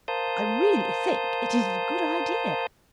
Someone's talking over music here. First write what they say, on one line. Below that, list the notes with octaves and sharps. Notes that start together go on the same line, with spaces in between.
'I really think it is a good idea.
A#4 C5 F5 A5 D#6 G6